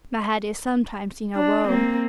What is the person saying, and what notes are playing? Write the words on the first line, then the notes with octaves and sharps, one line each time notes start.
My head is sometimes in a whirl.
D4
A#3 C4